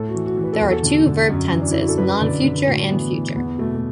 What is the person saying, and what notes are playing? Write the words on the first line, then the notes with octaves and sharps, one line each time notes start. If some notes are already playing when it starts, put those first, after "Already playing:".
There are two verb tenses: non-future and future.
Already playing: A2 A4
F#4
E3
F#4
E3
B4
A4
E2 F#4
A4
D3
D3
F#2 F#4
E3
D4
E3 E4
F#4
A4
F#2 B4
D3 D5
D3 B4
A2 F#4
E3 B3
E3
E2 B3
B2 A3
A3